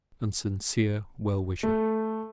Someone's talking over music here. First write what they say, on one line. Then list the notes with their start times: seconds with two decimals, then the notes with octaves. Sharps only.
And sincere well-wisher.
1.63 A3